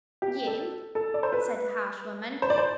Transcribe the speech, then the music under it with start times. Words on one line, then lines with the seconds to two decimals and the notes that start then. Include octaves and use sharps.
"You!" said the harsh woman.
0.22 G4
0.47 A4
0.95 A4
1.14 D5
1.23 C5
1.33 B4
2.42 C5
2.50 D5
2.58 C5